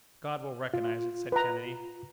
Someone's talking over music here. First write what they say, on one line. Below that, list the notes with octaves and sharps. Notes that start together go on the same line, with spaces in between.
"God will recognize it!" said Kennedy.
F4
B4 A#5